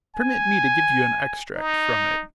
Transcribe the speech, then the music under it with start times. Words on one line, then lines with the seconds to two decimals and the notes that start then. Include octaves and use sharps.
Permit me to give you an extract from it.
0.15 G#5
1.56 D#4